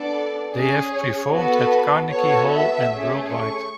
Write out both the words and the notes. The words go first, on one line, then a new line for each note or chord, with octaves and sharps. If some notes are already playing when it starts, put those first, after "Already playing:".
They have performed at Carnegie Hall, and worldwide.
Already playing: B3 D4 A4 D5
C#4 G#4
C#5
B3 F#4 A4 B4
B3 F#4 A4 C#5
E5
A3 C#4 G#4
C#6